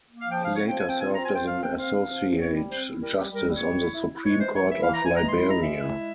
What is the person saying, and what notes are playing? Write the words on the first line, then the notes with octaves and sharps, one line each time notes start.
He later served as an Associate Justice on the Supreme Court of Liberia.
A#3
F5
F3
G5
C#3 F5
C4 C#5
G5
F3
G#5
C4 G5
F4 G#5
C4 A#5
G#5
F4 G5
F3 F5
C4 G5
C4 F5
C4 F5
F3
C4
E4 C#5
G3
C4 C5
E4
G3 A#4
G3 G4
G3 A#4
G3
C#5
G3
E4
E4
E4
G#3 C#5
E3 C5
E3 C#5
E4 E5
F5
E3
A#5
E3 G#5
G#3 A#5
C6
E4
C6
G#3 A#5
G#3 E5
E4
G#3